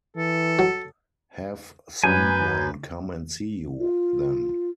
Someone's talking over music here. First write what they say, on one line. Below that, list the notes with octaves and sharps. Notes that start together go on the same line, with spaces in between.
Have some one come and see you, then.
E3 A4
F#3
F#2 B4 G#5 G6
F4